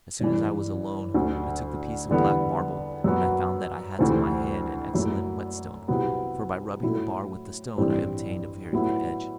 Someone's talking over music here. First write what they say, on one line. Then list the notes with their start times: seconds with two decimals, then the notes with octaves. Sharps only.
As soon as I was alone, I took the piece of black marble, and I found that I had to my hand an excellent whetstone; for by rubbing the bar with the stone I obtained a very good edge.
0.20 G1 G2 E3
1.14 D2 D3 F#3
2.09 E2 D3 G3 B3
3.04 F#2 F#3 B3 F#4
3.99 D2 C3 E3 A3 C4
4.93 F#2 F#3 A3 E4
5.88 C2 C3 F#3 B3
6.83 A2 F#3 A3 E4
7.78 A1 G2 E3 G3 C4
8.73 A2 F#3 B3 E4